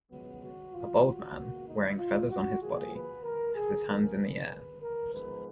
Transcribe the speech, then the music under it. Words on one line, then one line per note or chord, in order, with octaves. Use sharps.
A bald man, wearing feathers on his body, has his hands in the air.
C#2 B2 F#3 B3
F#4
F4
F#4
C#2 B2 A#3
D#4
F4
F#4
A#2 F3 A#3 G#4
B4
A#4
G#4
F2 F3 B3 A#4
B4
A#4
G#2 F3 B3 B4